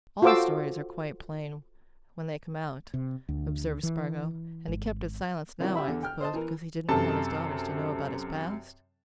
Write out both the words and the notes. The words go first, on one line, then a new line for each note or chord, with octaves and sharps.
"All stories are quite plain--when they come out," observed Spargo. "And he kept silence now, I suppose, because he didn't want his daughters to know about his past?"
F4 F#4 A4 C5 D6 E6
C3
D2
E3
G#1
C3 D#3 G3 E4 F#4 G4
G4 E5 B5
E2 D3
G5 F6
C5 D#5 A5
E3 A#4
F#2 C3 A4 A5